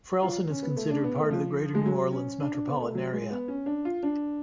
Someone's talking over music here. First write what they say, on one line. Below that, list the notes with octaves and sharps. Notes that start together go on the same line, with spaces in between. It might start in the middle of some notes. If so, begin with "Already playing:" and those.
Frellsen is considered part of the Greater New Orleans Metropolitan area.
F4
C#4
B3
A3
D4
B3
A3
F3
G#3
F#3
C#4
D4
D4
B3
A3
F#3
G#3
B3
C#4
D4
F4
D4